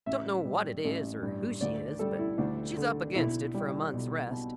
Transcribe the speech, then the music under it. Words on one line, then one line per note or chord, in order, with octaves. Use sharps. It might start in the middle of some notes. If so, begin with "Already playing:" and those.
Don't know what it is or who she is, but she's up against it for a month's rest.
A1 E5
G3
A1
G2
D2 D5
G3 A4
E4
D2 D4
D3
B1 E4
G3
B1
B2